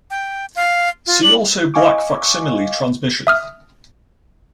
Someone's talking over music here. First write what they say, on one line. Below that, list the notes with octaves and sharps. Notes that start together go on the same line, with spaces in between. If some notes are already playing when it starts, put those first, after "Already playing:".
See also Black facsimile transmission.
G5
F5
F4
D4 F#7
D#5 F5 G#5 C#6 D6
E5 D#6 F6